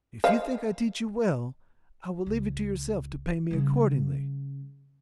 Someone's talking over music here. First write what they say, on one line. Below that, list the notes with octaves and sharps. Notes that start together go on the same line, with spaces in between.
If you think I teach you well, I will leave it to yourself to pay me accordingly.
C5 D#5 F5
C#2
C#3 G3